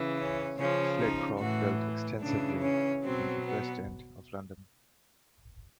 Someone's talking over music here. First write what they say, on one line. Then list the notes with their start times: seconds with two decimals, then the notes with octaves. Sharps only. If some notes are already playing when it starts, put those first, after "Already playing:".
Flitcroft built extensively in the West End of London.
Already playing: C#3 E3
0.17 C#4
0.58 C#3 F3 C#4
0.99 D#4
1.39 A2 E3 F#4
2.20 C#3 E3 D4
2.62 C#4
3.03 B2 F#3 C4
3.43 B3